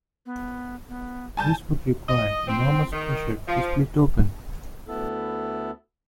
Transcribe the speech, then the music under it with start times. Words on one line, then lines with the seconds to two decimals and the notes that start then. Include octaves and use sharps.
This would require enormous pressure to split open.
0.26 B3
0.89 B3
1.37 G3 G#5 A5 G6
2.09 D#5
2.47 C4
2.93 D#3
3.48 F3
4.88 D2 B3 E4 A4